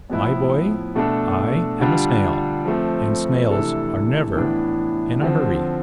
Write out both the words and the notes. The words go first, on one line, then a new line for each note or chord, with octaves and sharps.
"My boy, I am a snail and snails are never in a hurry."
A2 F3 B3 E4 B4
B2 A3 D4 A4
D3 G3 D4 F4
F3 A3 C4
C3 E3 A3 D4 A4
A2 E3 B3 D4
D3 F3 C4